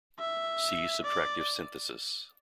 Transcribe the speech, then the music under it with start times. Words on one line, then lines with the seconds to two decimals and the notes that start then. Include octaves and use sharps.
See subtractive synthesis.
0.19 E5
1.04 D5